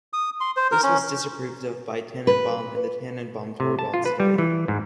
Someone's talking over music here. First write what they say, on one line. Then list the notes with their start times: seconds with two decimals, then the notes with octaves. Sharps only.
This was disapproved of by Tanenbaum in the Tanenbaum-Torvalds debate.
0.13 D#6
0.41 C6
0.57 C5
0.71 A#4
0.83 C#4
2.27 B4
3.60 C3
3.79 A5
3.94 F4
4.05 B4
4.20 G3
4.38 E3
4.68 G#2